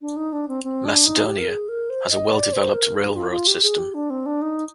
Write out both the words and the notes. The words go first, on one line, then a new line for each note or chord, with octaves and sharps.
Macedonia has a well-developed railroad system.
D4
D#4
D4
C4
C4
D4
D#4
G4
A#4
G#4
A#4
C5
D#5
D5
C5
A#4
G#4
F4
F4
G4
G#4
G4
D4
C4
D4
D#4